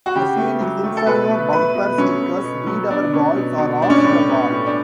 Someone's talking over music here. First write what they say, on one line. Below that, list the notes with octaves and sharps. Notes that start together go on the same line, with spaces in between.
The Phoenix Inferno bumper stickers read Our Balls Are Off The Wall.
F#4
C#3 G4
A3
F#3
A3
A4
B2 B4
A3
A3 B4
B2
F#3 C#4
B3
B2
F#3
B2 D4
C#4
B2
B2
G3 D4
C#4
D4
A2
B3
A2
D4